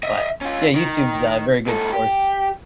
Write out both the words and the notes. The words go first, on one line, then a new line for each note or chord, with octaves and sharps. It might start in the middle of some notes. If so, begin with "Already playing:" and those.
but yeah, YouTube's a very good source,
D#5 E5
C#4 F4
D#3
G#2 A4
G4